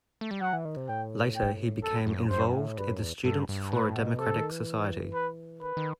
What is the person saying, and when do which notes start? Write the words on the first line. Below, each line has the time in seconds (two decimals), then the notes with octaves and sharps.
Later he became involved in the Students for a Democratic Society.
0.21 A3
0.31 G3
0.41 F#3 F#5
0.53 E3
0.65 D#3
0.77 C3
0.88 A2 G5
1.36 G5
1.83 F#2 A4
2.07 F#2
2.30 F#2 C5
2.54 A2
2.78 G2 B4
2.90 F#2
3.01 E2
3.24 G2 A4
3.49 G2
3.72 A2 B4
3.96 B2
4.19 C3 A4
4.35 D#3
4.51 E3
5.14 B4
5.61 D#3 B4
5.77 D#3